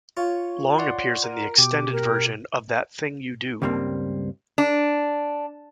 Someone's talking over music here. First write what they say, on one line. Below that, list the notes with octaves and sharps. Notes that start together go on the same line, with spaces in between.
Long appears in the Extended Version of That Thing You Do!
F4 C#5
D5 F#5 C6
A#4
B2 G4 D6
A#4
C#2 G2 G3 A#3 C4
D4